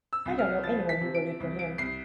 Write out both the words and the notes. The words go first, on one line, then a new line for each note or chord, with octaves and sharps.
I don't know anyone who voted for him.
E6
C2
F6
F3 A6
B6
C3
D7
C2
D7
C2 C7